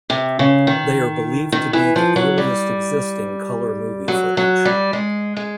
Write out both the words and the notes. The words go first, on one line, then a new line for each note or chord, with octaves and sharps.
They are believed to be the earliest existing color movie footage.
C3
C#3
D#3
D#3
E3
F3
F#3
G3
F#3
F#3
G3
G#3
G#3